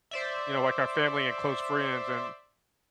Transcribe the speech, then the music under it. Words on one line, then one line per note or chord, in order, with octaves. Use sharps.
you know, like our family and close friends, and
C5 D5 E5